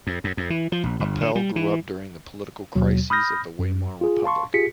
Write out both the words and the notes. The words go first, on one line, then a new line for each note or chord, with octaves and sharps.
Apel grew up during the political crises of the Weimar Republic.
F2
F#2
F2
E3
F3
A#1
G1
D3
G3
E3
D#2 B2 F#3
B5 D#6 F6 G6 A#6
F#2
F4 G#4
F5 A5 C6 C#6
F4 G4 G#4 B6 C#7